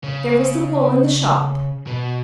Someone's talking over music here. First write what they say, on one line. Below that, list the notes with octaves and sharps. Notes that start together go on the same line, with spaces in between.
There was the wool in the shop.
C#3
B2